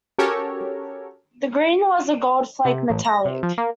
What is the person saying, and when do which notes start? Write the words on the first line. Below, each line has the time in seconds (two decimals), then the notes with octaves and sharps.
The green was a gold flake metallic.
0.18 C#4 F#4 G4 A4 A#4 C#5
2.65 C3
2.90 A1
3.05 A#6
3.25 C3
3.43 F3
3.58 A#3